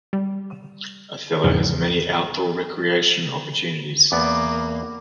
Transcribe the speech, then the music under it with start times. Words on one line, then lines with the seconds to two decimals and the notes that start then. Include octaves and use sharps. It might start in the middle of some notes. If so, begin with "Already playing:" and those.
Othello has many outdoor recreation opportunities.
0.13 G3
1.44 A#1 E2 G#2 C#3 F3
4.12 E2 A#3 B3 D5 D6